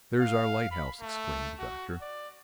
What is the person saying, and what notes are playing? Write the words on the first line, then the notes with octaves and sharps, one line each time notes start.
"There's our lighthouse!" exclaimed the Doctor.
F5
B5
A3
F#4
D5